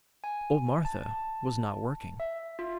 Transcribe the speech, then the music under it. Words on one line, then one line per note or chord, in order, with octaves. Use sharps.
Old Martha was not working.
G#5
A5
E5
F4